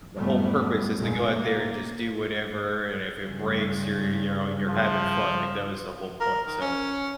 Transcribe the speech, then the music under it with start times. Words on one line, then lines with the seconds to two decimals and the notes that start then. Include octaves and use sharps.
The whole purpose is to go out there and just do whatever, and if it breaks, you're you're, you know, you're having fun, like, that was the whole point, so,
0.16 F#2 A2 D#3 G3 A3 B3
0.98 F1 A#1 F2 A#2 G#3
1.34 A#3
3.24 G2 C#3
4.67 F3
6.20 A#4
6.47 D#3
6.61 C#4